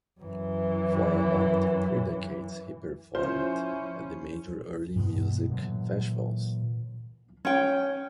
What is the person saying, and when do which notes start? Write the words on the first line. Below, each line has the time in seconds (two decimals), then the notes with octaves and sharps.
For about three decades he performed at the major early music festivals.
0.20 F#2 E3
3.15 F3 C#4 E4 F4 C5
4.95 G2 B2 E3 G#3
5.49 A#2 D3 E3 F#3
7.45 C#4 G5